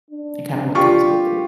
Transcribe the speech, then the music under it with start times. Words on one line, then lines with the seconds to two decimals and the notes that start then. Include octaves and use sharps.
and kinda what comes with it.
0.11 D4
0.75 F4 G4 C#6